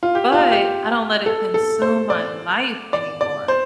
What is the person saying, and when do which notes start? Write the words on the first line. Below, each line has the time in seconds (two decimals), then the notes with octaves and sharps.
but, I don't let it consume my life anymore
0.03 F4
0.15 G4
0.32 F4
0.51 G4
1.26 A4
1.54 A4
1.82 C5
2.10 D5
2.93 D5
3.21 D5
3.48 C5